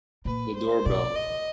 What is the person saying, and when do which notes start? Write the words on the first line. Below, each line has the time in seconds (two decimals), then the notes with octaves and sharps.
The door bell.
0.25 A#2 B4
0.55 C5
0.85 B2 D5
1.15 D#5